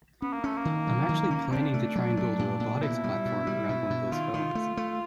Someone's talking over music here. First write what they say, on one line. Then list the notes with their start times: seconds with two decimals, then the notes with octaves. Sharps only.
I'm actually planning to try and build a robotics platform around one of those phones.
0.22 B3 C#4
0.33 A#3
0.44 A3 C#4
0.57 A#3
0.65 D#3
0.87 F#3
1.09 D#3
1.30 C#4
1.52 C4 D4
1.74 A3
1.95 F#3
2.17 A3
2.39 A#2
2.60 A#2
2.82 B2 E4
3.04 G3
3.25 B2
3.47 G3
3.69 B2
3.90 B2
4.12 D#3 F4
4.34 D#3
4.55 A3
4.77 A3